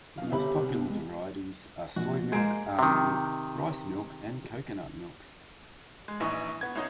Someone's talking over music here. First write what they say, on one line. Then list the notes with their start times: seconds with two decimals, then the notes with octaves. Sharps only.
The most popular varieties are soy milk, almond milk, rice milk and coconut milk.
0.18 B2 F5
0.32 G1 G4 E5 B5
0.57 C2
0.71 B3
0.88 G#3
1.96 A#1 F#4
2.32 G#3 A#3 C5 G#6 D7
2.79 C3 D#3
6.08 G#3
6.20 A#1 E3 D#4 C#6 D#6
6.61 B3 G#6
6.75 C2 C#4 D#4